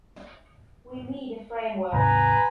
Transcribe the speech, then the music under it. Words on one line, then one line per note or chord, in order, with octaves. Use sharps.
We need a framework.
D#2 G#2 C3 B4 G#5 A#5